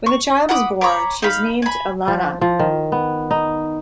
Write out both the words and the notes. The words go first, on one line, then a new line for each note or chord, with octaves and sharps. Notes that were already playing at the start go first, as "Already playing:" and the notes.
When the child is born, she is named Allana.
C#6
F#5 B5 D6 D#6
C#5 A#5 B5 D6
D#4 F5 B5
G#5 B5
F3
F3
D#3
B3
D#4